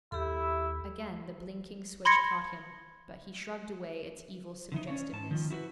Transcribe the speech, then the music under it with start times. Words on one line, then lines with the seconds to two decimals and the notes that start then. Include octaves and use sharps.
Again the blinking switch caught him, but he shrugged away its evil suggestiveness.
0.12 D#2 E4 G4 A4
2.05 B5 C6 G#6 A#6 C#7
4.72 D3 E3 D#4
4.87 C#4 D4 C#5
5.12 G#2 A5
5.31 D#3 F3
5.50 E4 F#4 A#4 B4